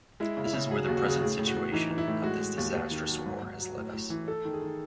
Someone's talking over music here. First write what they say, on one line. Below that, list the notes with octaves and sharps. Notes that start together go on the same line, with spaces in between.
This is where the present situation of this disastrous war has led us.
G#3 E4
C#3
E4
C#3
F#3 G#4
F#4
D#2
F#4
C#3 G#4
A2 G#4
A2
F#4
A2
E3 D#4
E3
E4
A2
G#3 F#4
G#3
D#2
D#2
D#3
F#3
G#2
G#2
F#3
A2
A2
E3
A3 A4
D#3
G#4
D#3